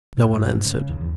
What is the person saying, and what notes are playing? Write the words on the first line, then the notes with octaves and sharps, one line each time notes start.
No one answered.
A2
G2
G#2
C#3
D#2
E2